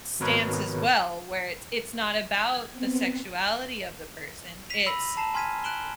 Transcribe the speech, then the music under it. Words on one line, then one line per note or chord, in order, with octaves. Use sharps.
stance as well, where it's it's not about the sexuality of the person, it's
G#1 B2 A#4 B4 C#5
G#6
B3 C4
B6 C7 D#7 F7
B5 E6 A#6 F#7
A5 A#5 C7 E7
G#5 C6 F6 G#6 B6 D#7
F#6 B6 D7 E7 F#7 G7